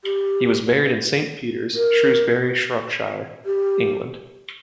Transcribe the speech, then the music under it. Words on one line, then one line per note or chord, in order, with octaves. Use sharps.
He was buried in Saint Peter's, Shrewsbury, Shropshire, England.
G4
A#4
G4